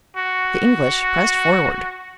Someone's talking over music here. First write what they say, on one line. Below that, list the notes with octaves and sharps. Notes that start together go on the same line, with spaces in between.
The English pressed forward.
F#4